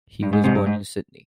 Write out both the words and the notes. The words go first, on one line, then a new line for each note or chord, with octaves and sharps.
He was born in Sydney.
G2
G#2
G#2 C3
G2
G#2